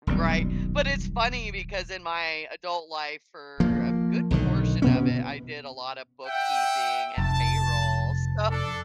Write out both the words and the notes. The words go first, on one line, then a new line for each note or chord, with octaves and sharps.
right, but it's funny because in my adult life for a good portion of it, I did a lot of bookkeeping and payroll, so
D#1 B1 G3
F3 A#3
B1 D3 D#3
B2 B3 C#4
E5 F#5 G5
F1 A5
D4 A4